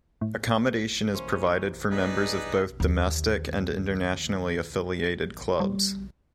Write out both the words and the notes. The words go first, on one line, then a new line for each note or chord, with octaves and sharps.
Accommodation is provided for members of both domestic and internationally affiliated clubs.
A2
E3 A#3 C#4 C5
F#3 G#3 B3 D4 D#4 G#4 B4
D#2 D3
G3